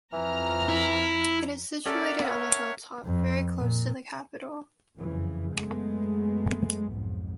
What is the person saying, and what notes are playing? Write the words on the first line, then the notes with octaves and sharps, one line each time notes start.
It is situated on a hilltop, very close to the capital.
F2 E3 A#5 F6
E4
C#4 A4 A#4 D5 E5 F#5
C#5
F2
A#2
F#1 F2 C#3 E3
F#2 G#3 A3 B3
B1 F2 G#2